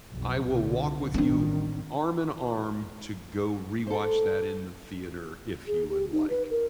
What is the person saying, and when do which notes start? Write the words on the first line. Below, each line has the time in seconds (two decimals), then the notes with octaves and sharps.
I will walk with you arm and arm to go rewatch that in the theater if you would like,
0.13 B1 F2
0.46 C2 B2 D3
1.14 A1 D#3 G3 C4 D4
3.87 A4 C5
5.67 G#4
5.90 G4
6.12 D#4
6.30 B4
6.51 A#4